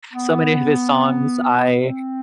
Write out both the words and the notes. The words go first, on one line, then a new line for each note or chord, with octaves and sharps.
So many of his songs, I
B3
C4